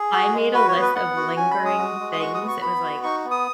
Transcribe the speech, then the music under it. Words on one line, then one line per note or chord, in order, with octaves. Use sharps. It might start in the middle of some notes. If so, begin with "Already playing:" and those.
I made a list of lingering things it was, like,
Already playing: G#4
F#4
G#3
F#4 B4
C#5
B3
B4
B3 F#5
F#4
C#4 G#5
B5
G#3
D#6
F#4
G#3
D#6
F#4 C#6
D#6
B3
C#6
B3 B5
F#4
D#4 C#6
B3
D#6